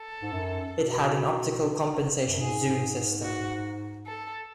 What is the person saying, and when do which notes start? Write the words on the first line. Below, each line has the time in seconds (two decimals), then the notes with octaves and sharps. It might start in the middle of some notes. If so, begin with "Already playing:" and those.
It had an optical compensation zoom system.
Already playing: A4
0.22 G#2
0.32 F#2
0.75 B2
2.27 F#2
2.40 G#2 G#4
3.23 F#4
4.06 A4